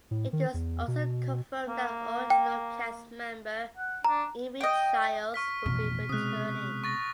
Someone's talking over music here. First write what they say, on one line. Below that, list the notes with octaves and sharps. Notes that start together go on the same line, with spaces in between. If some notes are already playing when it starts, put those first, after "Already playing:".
It was also confirmed that original cast member Amy Childs would be returning.
A2
D#3
E2
B2
A#3
G5
F#5
D4 A#5
D#5 G5
C#6 F6 B6
A1 F2 B2
C3 G#3 D#6 F#6
C#6 A6 A#6